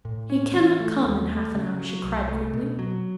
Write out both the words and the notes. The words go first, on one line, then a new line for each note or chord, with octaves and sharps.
"He cannot come in half an hour," she cried quickly.
A2
C#4
E3
A3
D#2
A3
C#3
F#3
C2
A3
B2
F#3